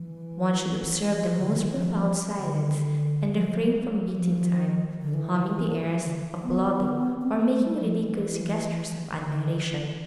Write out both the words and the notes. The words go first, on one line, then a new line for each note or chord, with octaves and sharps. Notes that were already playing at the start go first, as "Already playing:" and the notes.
One should observe the most profound silence, and refrain from beating time, humming the airs, applauding, or making ridiculous gestures of admiration.
Already playing: E3
D3
D3
E3
F3
D3
F3
G3
F3
G3
F3
D3
E3
D3
E3
E3
B3
C4
A3
A3
G3
F3
E3
D3
E3